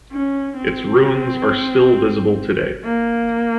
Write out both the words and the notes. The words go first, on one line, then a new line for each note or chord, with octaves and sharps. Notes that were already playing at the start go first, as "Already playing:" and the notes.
Its ruins are still visible today.
C#4
C4
A#3